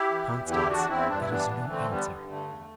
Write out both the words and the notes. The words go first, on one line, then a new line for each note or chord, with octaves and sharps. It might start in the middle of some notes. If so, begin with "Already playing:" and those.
"Constance, that is no answer."
Already playing: E4 G4
E3
E2
D3 E4 G4
E2 D4 F#4
E2 C4 E4
G2 D4
E4
E3 B3 D4
E3
D3 A3 C4
D3 G3 B3
G2
D3 A3
E2